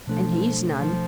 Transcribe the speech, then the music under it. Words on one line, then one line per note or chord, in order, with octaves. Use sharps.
And he's none.
B2 F3 A3 D4 A4 C5
F3